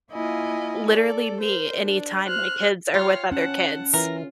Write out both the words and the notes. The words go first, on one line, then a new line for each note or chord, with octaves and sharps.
Literally me, anytime my kids are with other kids.
A#3 E4 F4 D#5 G#5
A4 D5
A#4 C5
D4
C5 F6 F#6
F4 C#5 F5 G5
C#4 F#5 A5
E3 F4 A#4